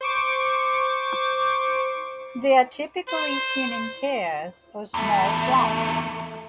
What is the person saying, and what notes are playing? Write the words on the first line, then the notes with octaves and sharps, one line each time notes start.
They are typically seen in pairs or small flocks.
C5 C#6 D6
C5
E2 A3